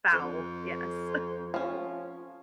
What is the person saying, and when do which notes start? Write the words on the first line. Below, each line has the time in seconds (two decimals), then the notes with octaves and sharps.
Foul, yes.
0.13 F2
1.54 F3 C#4